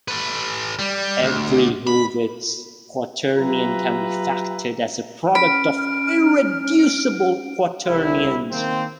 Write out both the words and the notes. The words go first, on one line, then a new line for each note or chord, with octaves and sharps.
Every Hurwitz quaternion can be factored as a product of irreducible quaternions.
A4 B4
G3
D2
B5
F#3 F4 G4 B4 E5 A#5
C#4 B5 F6 D7
C2 E4
D#3 A#3 C4